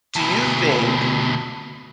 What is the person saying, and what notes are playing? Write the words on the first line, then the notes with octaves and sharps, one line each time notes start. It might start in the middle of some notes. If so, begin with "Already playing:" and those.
do you think
D2 B2